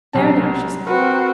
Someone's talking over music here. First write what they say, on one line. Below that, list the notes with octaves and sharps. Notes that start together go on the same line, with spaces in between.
'There, now!' she said.
B1 C3 A5
C4 F#4 A#4 B4